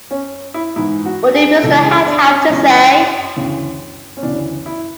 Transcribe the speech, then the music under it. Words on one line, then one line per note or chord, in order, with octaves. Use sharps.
What did Mr. Haight have to say?
C#4
E4
G#2 E3 E4
F#4
G#4
C#2 C#3 E3 A4
G#4
D4
C#4
C#2 C#3 E3
D2 C#3 E3
C#4
D2 C#3 E3 D4
E4